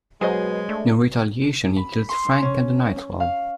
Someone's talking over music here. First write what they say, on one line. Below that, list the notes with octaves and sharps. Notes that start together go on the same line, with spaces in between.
In retaliation, he kills Frank at a night club.
B2 F#3 G#3 G#4 C5 D#5
A3 D4
B5
C6
C#4
F5